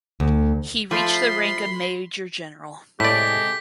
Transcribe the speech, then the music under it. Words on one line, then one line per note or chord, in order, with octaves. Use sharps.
He reached the rank of Major General.
D2
F3 A3 B5 C6
A2 C3 G#3 G4 A4 D5 B6